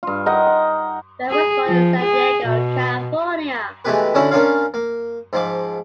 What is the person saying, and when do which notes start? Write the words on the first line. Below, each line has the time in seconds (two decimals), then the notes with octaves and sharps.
Bear was born in San Diego, California.
0.03 G2 F4
0.26 D#4 A#4 D#5 F#5
0.47 F#5
1.30 G#4
1.67 F3
2.01 G#4
2.46 B2
3.85 E3 G#3 A3 B3 G4 B4
4.15 D3 C#4 D4 E4 F#4
4.31 A#3 C#4 D4 F4 C#5 F5
4.74 A#3
5.33 G#2 F3 D6